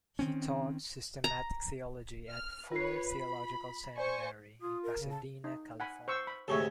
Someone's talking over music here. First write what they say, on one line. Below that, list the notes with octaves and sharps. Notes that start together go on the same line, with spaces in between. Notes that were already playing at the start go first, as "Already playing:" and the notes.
He taught systematic theology at Fuller Theological Seminary in Pasadena, California.
D#3 C4 C#4
A#5
F6
F4 B4 C#5 C7
B5
C5 D5 G#5 C#6
F4 D#6
A#4
C#3
A5
D#4
F#5 G#5 B5
C5 C#6 E6
B5
D2 G#2 C3 A4 C#5 E5